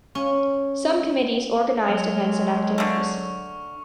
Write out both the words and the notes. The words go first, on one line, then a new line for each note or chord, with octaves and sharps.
Some committees organized events and activities.
C#4
F#3 G#3 F6 C#7 F7
D3 A3 C#6